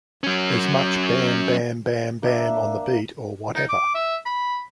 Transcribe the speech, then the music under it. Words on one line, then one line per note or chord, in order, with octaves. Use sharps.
As much 'bam-bam-bam-bam' on the beat or whatever.
F#3 C#4
A#3 D4 E5
D#4
D6
E5
B5